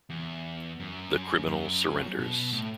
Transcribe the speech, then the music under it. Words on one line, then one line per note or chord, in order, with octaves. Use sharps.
The criminal surrenders.
E2
F#2
F#2
B2
A2